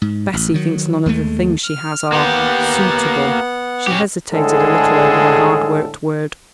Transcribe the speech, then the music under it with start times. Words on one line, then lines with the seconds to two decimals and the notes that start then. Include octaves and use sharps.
"Bessie thinks none of the things she has are--suitable." She hesitated a little over the hard-worked word.
0.02 G#2
0.33 A1
0.54 D#3 F#3
1.06 D#2 G#3 A3
1.64 F6
2.12 A#3 B3 G4 F#5
3.87 C#4 G4
4.32 A2 D3 G#3 G#4 A4